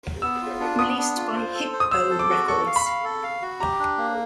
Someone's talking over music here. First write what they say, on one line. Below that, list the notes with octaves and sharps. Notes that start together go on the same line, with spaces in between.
Released by Hip-O Records.
B3 E6
F4
D4
B3 D#6
D4
F4
C5
A4
C5
D#6
C5 E6
A4
D6
F#4
A4 C#6
F5
B5
F5
A4
F5
F#4
G4 A#5
D4
A#3